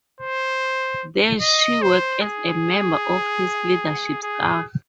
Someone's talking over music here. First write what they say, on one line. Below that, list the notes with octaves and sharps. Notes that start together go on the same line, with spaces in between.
There she worked as a member of his leadership staff.
C5
D#5
C5
G#4
G#4